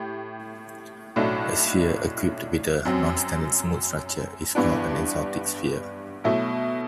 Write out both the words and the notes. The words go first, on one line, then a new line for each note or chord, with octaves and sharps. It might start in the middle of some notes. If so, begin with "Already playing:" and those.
A sphere equipped with a nonstandard smooth structure is called an exotic sphere.
Already playing: A2 G4
B1 A2 F#3 A3 D4
F#2 F#3 C4
G2 E3 B3 D4
B2 F#3 A3 E4